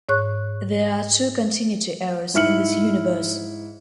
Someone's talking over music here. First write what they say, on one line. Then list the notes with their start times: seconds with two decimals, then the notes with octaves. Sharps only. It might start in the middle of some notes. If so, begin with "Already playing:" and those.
There are two continuity errors in this universe.
0.09 G#2 C#5 C#6 F#6
2.34 G#2 E4 F6 C#7 F#7